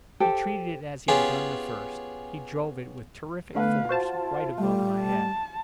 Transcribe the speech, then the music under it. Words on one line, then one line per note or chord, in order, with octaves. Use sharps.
He treated it as he had done the first--he drove it, with terrific force, right above my head.
G4 A4 C5
B3 C#4 F4 G4 G#4
D3 A3 B3 B4 F5
F4 F#4 C5 A5
G3 A3
A5